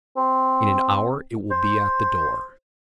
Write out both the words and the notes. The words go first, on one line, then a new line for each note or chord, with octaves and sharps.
"In an hour it will be at the door."
C4
C5